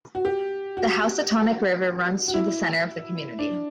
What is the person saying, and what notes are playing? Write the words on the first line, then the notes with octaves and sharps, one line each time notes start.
The Housatonic River runs through the center of the community.
F#4
G4
F#4
F#4
E4
D4